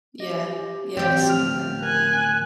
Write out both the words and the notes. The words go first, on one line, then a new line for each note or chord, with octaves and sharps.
Yeah, yeah, I see that.
G4 D#5
E3 C4 G4 D5 G5
D2 A2 F3 F6
A#4 G#5 F#6